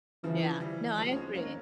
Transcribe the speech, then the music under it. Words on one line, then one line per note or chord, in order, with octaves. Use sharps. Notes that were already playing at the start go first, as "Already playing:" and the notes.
Yeah, no, I agree.
C#3 E3 F3
E3 G3
F3 G#3
C#4
G#3 C4
A#3 C#4